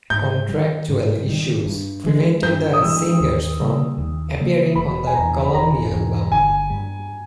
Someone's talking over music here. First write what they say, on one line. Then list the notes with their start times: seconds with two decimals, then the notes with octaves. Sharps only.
Contractual issues prevented the singers from appearing on the Columbia album.
0.10 G#2 G6
0.49 D#3 G3
0.88 G#2
1.26 D#3 G3
1.66 G2
2.04 E3 G#3
2.43 G2 G6
2.73 D#6
2.81 E3 G#3 E6
3.20 D#2
3.59 C#3 G3 A#3
3.98 D#2
4.38 C#3 G3 A#3
4.76 E1 B5
5.07 G#5
5.15 E2 B2 A#5
5.45 B5
5.53 E1 A#5
5.92 E2 B2
6.32 G1 G#5
6.70 G2 G3